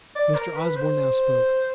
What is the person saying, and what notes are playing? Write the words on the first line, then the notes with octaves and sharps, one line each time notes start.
Mr. Osborne now spoke.
D5
A#4
B4
C5